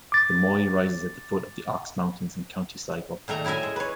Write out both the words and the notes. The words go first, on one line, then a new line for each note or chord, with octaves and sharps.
The Moy rises at the foot of the Ox Mountains in County Sligo.
D6 A6
A#2 D#3 A3 A#5
A2 E4 A#4 E5 G#5
G#3
B4 C#5